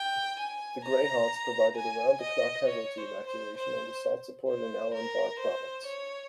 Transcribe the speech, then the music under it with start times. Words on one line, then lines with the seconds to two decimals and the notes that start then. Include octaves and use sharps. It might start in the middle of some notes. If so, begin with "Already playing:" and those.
The Greyhawks provided around-the-clock casualty evacuation and assault support in Al Anbar Province.
Already playing: G5
0.39 G#5
0.85 A#5
1.76 G#5
2.21 D#5
2.67 C#5
2.98 C5
3.27 C5
3.57 C5
4.49 C5
4.94 A#4
5.39 C5
5.85 C#5